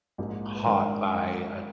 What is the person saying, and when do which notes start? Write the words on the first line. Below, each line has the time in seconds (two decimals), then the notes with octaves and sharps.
taught by a
0.18 A#1 G#2 F3 A#3
0.54 B4
0.66 G2 D#3 G#3 C#4 A#4 C5